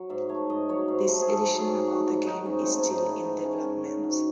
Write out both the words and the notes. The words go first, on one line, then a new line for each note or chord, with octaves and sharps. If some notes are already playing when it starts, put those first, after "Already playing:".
This edition of the game is still in development.
Already playing: F#3 F#5
G#2 E5
A3 C#5
G#2 D#5
F#3 C#5
G#2
C5
A3
G#4
G#2 A4
F#3
G#4
G#2
A3 F#4
G#2 F#4
D#3 D#4
G#2 C#4
A3 C4
C#4
G#2 D#4
D#3 E4
G#2 D#4
A3 C#4
G#2 C#4
D#3 D#4
G#2 F#4